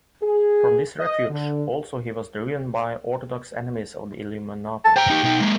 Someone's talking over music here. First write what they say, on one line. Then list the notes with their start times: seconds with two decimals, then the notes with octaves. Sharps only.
From this refuge also he was driven by orthodox enemies of the Illuminati.
0.22 G#4
1.00 D#5
1.29 D3
4.85 A5
4.96 C5 G5 A#5
5.10 D#4 G4
5.24 B2 D#4
5.40 G#3 A#3